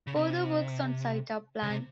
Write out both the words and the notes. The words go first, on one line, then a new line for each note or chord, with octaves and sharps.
Further works on site are planned.
C#3
C3
C#3
C3